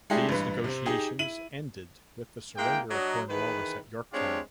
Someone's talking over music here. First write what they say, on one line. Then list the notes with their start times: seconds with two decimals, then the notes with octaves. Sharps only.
These negotiations ended with the surrender of Cornwallis at Yorktown.
0.10 G#3 A3 D4 E4 G4 G#4
0.29 A1 G2 B4
0.64 C3 C4
0.86 D#4 G4 G#4
1.19 E4 D#7 F#7
2.57 G#3 A#3 E4 G5
2.90 F#3 D4 D#5
3.29 D#3 E3 G#4 B4
4.12 G#3 C4 D4 F4 G4 C#5